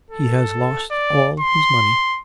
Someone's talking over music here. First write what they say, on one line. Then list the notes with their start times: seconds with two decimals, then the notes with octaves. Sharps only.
He has lost all his money....
0.10 A4
0.91 D5
1.40 C6